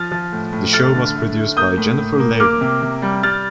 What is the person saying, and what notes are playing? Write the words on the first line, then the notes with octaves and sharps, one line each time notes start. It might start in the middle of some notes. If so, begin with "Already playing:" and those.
The show was produced by Jennifer Lavin.
Already playing: F3 F6 A6
F3
A2
A2
A3 F6 A6
D3
A3
A3
A#3 D#6 G6
A2
A2
A#3
A#3 D6 F6
C3
C3
G3
G3 F6 A6